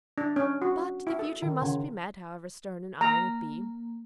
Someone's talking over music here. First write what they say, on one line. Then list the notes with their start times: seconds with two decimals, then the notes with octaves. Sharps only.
But the future must be met, however stern and iron it be.
0.18 D4
0.36 C#4
0.62 F#4
1.07 E4
1.19 A4
1.42 D#3
1.62 C#3
3.01 A#3 A#5